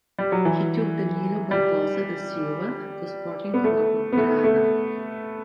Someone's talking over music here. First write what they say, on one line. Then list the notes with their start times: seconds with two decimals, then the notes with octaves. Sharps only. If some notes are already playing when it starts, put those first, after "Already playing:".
He took Danilo Barbosa da Silva to Sporting Club of Braga.
0.19 G3
0.32 F#3
0.45 E3
1.51 G3
3.54 B3
3.64 A3
4.12 B3
4.18 A3
4.44 A3